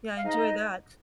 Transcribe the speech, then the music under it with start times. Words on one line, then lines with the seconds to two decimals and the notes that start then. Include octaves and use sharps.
Yeah, I enjoy that.
0.17 F5
0.24 G#2 D#4 D#5